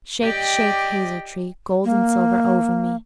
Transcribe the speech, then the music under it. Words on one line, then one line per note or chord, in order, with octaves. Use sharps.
"Shake, shake, hazel tree, Gold and silver over me!"
G4 D5 D#5 G5
A#3